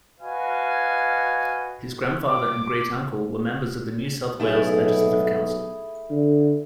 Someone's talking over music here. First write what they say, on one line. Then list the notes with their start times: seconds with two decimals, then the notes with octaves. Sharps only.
His grandfather and great-uncle were members of the New South Wales Legislative Council.
0.20 F#4 B4 D#5 F5 G#5
2.27 D6
4.40 B1 A3 E4 G#4
6.10 D3